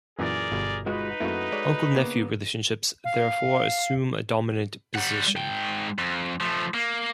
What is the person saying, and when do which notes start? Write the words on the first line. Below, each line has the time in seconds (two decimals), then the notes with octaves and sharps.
Uncle-nephew relationships therefore assume a dominant position.
0.19 F#2 A#2 E3 G#4 A#4 D5
0.52 G1 B2
0.86 G#3 D#4 F4 F#4 B4
1.20 F#2 A3 A#3 E4 F#4
1.52 G#3 C#5 D5
1.95 C#3 A#3 B3
3.04 F5
4.95 G3 F#5
5.36 G#2 G5
5.98 F2
6.40 F3 A3
6.74 A#3